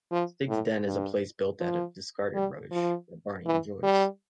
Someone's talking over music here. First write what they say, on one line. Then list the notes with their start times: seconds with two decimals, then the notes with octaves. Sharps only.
Stig's den is a place built out of discarded rubbish, that Barney enjoys.
0.12 F3
0.49 A2
0.86 G2
1.60 F3
2.35 G3
2.72 F3
3.46 E3
3.83 G3